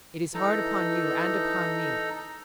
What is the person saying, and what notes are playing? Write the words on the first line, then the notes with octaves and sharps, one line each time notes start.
It is hard upon you,--and upon me.
E3 D#4 A4 A#5